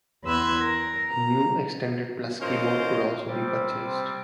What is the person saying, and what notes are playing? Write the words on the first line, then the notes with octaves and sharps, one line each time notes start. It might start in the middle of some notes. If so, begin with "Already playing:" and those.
The new extended Plus keyboard could also be purchased.
E2 B4 C6 E6 F#6 G#6
A#4
A#5
E3 C#4 F4 A#4 C5 D#5
C3 G3 C4 D6